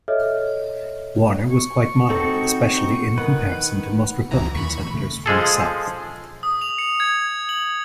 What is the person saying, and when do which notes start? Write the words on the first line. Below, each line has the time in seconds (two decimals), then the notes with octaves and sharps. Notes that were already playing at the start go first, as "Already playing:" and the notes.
Warner was quite moderate, especially in comparison to most Republican Senators from the South.
0.08 A4 C#5 D#5 E5 F6
1.51 C#6
2.10 C4 D#4 F#4 A4
3.18 D#3 B4 F#5
4.31 C#2 E3 A#5
4.55 D#2 D#3 E3 B5 C#6
4.79 A2
4.94 A2 C#3 A3
5.26 F3 G#3 G#4 A4
6.43 D#6
6.62 F7
6.78 C#7
7.00 G#6
7.49 F#7